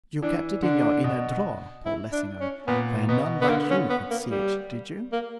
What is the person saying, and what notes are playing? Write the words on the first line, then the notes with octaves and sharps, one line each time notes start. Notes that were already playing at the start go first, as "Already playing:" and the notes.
'You kept it in your inner drawer, Paul Lessingham, where none but you could see it,--did you?
E3 D4
D3 D4
B2
E4
D4
C#4
A#2 B3
B2 B3
B3
D3 A#3
C#4
B3
A#3
G3
A#3